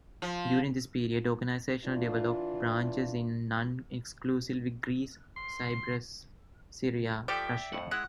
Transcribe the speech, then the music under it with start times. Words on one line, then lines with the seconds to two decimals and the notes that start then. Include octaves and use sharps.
During this period, organization developed branches in non exclusively Greece, Cyprus, Syria, Russia.
0.22 F3
1.85 E3 D4 F4
5.36 C6
7.28 F3 G4 A4 D5 E5 G5
7.73 F2 A2 F#5
7.91 G#3 E4 F#5